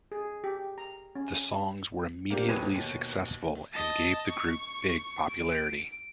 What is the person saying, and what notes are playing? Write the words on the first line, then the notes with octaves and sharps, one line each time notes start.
The songs were immediately successful and gave the group big popularity.
G#4
G4
A#5
C#4
A#3 C4 D4 F4 G4
D#1 D#2 B2 B4 G#6 D#7
D#2 B2
D#5 A5
C#6
D7